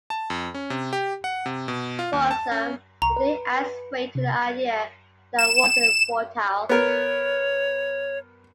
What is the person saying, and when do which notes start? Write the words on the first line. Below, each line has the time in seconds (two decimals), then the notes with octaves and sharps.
For some, the day adds weight to the idea that war is futile.
0.10 A5
0.30 F2
0.54 C#4
0.70 C3
0.93 G4
1.24 F#5
1.46 C3
1.68 B2
1.99 F4
2.13 D#2
2.31 A5
2.51 C#4
3.02 C2 A#5 C#6
3.16 B4
4.15 C3
5.39 E7
6.69 B3 A#4 C#5